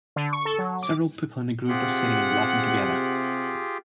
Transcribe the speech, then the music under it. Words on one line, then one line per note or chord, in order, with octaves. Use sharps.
Several people in a group are sitting and laughing together.
D3
C#6
A4
F#3
D6
C3 F4 G4 G#4 F#5